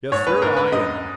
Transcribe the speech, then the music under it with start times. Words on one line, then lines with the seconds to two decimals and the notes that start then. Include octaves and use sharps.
"Yes, sir, I am."
0.12 G#2 C#5
0.27 B4
0.42 G#2 A#4
0.57 B4
0.72 F#2 D#5